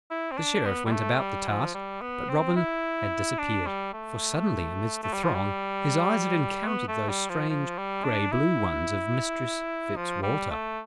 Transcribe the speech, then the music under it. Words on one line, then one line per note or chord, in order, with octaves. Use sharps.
The Sheriff went about the task; but Robin had disappeared; for suddenly, amidst the throng, his eyes had encountered those strange grey-blue ones of Mistress Fitzwalter.
E4
C4
D4
B3
G3
A3
G3
F3
G3
B3
C4
E4
D4
G3
A3
A3
G3
F3
G3
B3
A3
G3
F3
F3
G3
D4
E4
F3
G3
A3